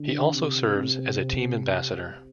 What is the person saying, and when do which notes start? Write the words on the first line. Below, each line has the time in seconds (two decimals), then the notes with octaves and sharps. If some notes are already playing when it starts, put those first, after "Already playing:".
He also serves as a team ambassador.
Already playing: D3
0.34 C3
0.75 C3